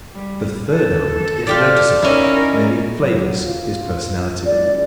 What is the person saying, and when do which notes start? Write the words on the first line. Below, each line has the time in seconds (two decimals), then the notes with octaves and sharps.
The third element, if noticeable, merely "flavors" his personality.
0.12 G3
0.69 A4
1.47 F4 G4 D5
2.02 C#4 D#4 E4 A#4
2.97 F#3
3.43 F4
4.45 F#1 D#2 G#3 D5